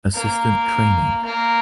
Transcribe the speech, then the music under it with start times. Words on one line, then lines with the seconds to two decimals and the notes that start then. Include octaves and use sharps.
Assistant training.
0.14 A#3
1.24 A#3